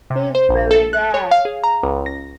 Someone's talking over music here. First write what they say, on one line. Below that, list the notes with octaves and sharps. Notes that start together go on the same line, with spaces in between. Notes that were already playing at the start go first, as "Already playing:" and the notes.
He is buried there.
C3
C5
A#1
A4
F#6
C#5
F5
G#4
A#5
C#2
A#6